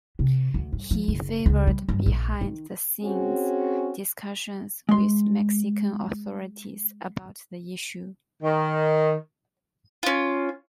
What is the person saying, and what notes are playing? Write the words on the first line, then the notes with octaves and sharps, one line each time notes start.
He favored behind the scenes discussions with Mexican authorities about the issue.
C3
D2
G2
F3
F#1
C#2
G3
G2
A#1
D#3
C4 C#4 F#4 G#4
G#3 C6
D#3
C#4 F4